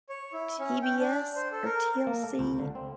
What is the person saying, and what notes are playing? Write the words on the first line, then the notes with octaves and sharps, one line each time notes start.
TBS or TLC.
C#5
E4
C#4
G5
D4
C5
A4
A#4
A#3
A4
C#2
D3
C4